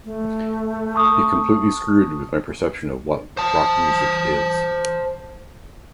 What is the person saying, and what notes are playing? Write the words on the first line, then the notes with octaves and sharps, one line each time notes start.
It completely screwed with my perception of what rock music is.
A3
A5 C#6 D#6
C5 A5